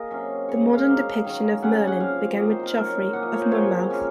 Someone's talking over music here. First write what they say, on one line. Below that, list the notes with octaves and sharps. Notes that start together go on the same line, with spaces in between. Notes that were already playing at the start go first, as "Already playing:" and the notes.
The modern depiction of Merlin began with Geoffrey of Monmouth.
Already playing: A#3 G#4 A#4 D#5
C3 F#3 C#4
C#3 G#3 C4 C#5
D#5
F5
C#3 F#3 A#3
D#3 G#3 C#4
C#3 F#3 C#4 F#5
G#5
F#5
F3 C4 F5
D#3 F#3 A#3 D#5
C5
A#4
D#3 F#3 A#3 C#4 A#4
C#5
D#5
A#2 F3 A#3 C#4 F#5
D#5
C#5
C5
C#3 F#3 C4 C#5
F3 A#3 C#4